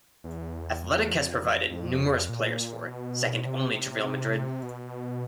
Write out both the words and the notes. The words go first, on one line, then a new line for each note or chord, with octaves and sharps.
Athletic has provided numerous players for it, second only to Real Madrid.
E2
F2
E2
F2
F2
A#2
B2
C3
C3
B2